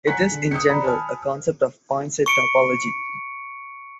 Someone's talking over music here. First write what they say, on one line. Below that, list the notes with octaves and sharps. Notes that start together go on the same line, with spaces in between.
It is in general, a concept of point-set topology.
F#5 G#5 A#5 F#6 B6 C#7
D3
D#6 E6 G6 C#7
D5 A#5 B5
G#5 A5 B5 F6
C#6 C#7 D7